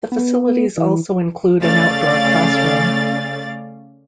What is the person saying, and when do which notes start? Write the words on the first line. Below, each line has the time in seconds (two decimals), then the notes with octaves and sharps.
The facilities also include an outdoor classroom.
0.12 B3
0.78 E3
1.60 C#3 A3 C#4 D5 F5 A6